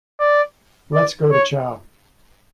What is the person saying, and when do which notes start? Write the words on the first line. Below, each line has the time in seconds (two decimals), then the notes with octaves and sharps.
Let's go to chow.
0.20 D5
0.94 D5
1.31 C#5